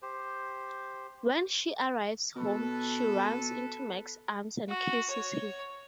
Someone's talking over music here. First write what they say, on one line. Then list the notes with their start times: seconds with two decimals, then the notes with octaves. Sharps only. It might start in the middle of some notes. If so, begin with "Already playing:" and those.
When she arrives home, she runs into Mike's arms and kisses him.
0.02 G4 C5
2.36 B2 A4 B4
4.70 F#4
5.10 C#5